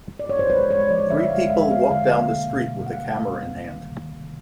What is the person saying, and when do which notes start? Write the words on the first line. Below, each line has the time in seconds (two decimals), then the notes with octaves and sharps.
Three people walk down the street with a camera in hand.
0.20 D5
0.29 C#5
0.39 C5
0.50 G#3 B4
0.70 G#3 C#5
0.91 F3 D5
1.10 D3 E5
1.30 G#3 F5
1.50 G#3 E5
1.70 G#3 F5
1.90 D3 F5
2.11 A#3
2.31 B2
2.51 B2
2.71 G3
2.86 F#5
2.91 B2 F5
3.12 G3
3.31 A#3
3.52 A#3
3.72 D#3
3.92 C3
4.12 D#3